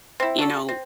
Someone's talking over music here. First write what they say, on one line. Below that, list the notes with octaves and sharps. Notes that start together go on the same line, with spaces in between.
you know
C4 E4
D4 F#4 A4
C4